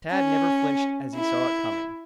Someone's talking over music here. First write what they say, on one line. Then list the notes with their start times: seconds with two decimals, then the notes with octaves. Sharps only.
Tad never flinched as he saw it coming.
0.12 C#4
1.17 E4